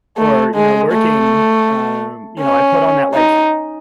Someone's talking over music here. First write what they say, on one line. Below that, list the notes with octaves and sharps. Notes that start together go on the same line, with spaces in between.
or, you know, working, um, you know, I put on that, like,
A3
G#3
A3
C#4
D#4